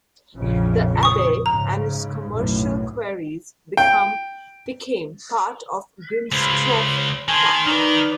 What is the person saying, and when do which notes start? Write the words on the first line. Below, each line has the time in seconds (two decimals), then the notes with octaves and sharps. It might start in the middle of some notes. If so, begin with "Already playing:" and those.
The Abbey and its commercial quarries became part of Grimsthorpe Park.
0.36 A#1 F2 C#3
1.03 C#6 D#6
1.46 G#2 C#3 A#5
2.30 B1 F#2 A2
3.77 G5
6.32 C#2 C5 B5
7.28 D#3 G#5 A5 C6
7.67 D#3 D#4 B4 D5